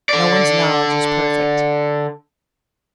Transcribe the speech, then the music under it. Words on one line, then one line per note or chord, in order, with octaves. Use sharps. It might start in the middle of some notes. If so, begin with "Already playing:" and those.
No one's knowledge is perfect.
D3 D5